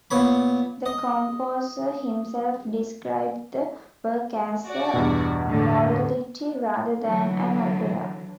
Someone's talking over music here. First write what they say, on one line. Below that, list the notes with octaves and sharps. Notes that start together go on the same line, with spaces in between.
The composer himself described the work as a 'Morality' rather than an opera.
A#2 B3 C#5 B5
D#5
F#4 D5
E2 G2 B2
A2 D3
D3 E3 F#3